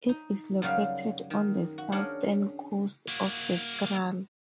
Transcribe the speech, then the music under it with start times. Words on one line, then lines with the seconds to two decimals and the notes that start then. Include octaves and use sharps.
It is located on the southern coast of the krai.
0.09 D#4
0.62 F#2 C#3 G3 F#4 F5
1.30 D#3
1.78 F#4
1.92 C#4 D4 G#4 A#4 F#5
3.08 A#3 F#4